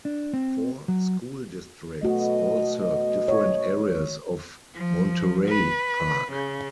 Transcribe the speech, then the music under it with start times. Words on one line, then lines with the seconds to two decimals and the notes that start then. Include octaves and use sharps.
Four school districts all serve different areas of Monterey Park.
0.05 D4
0.33 C4
0.88 F#3
2.03 B2 A3 F#4 D#5
3.28 C#5
4.74 F3
5.47 B4
6.31 C#3